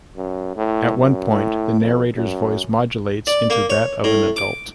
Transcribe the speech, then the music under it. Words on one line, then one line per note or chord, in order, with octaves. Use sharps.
At one point the narrator's voice modulates into that of an adult.
F#2
A2
F#2
A2
F2
F#2
D5
A#3
C#5
A2
D6